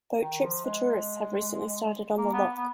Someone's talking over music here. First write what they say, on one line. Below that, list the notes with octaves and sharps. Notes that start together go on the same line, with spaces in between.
Boat trips for tourists have recently started on the loch.
D#3
F3
G#3
A#3
B3
B3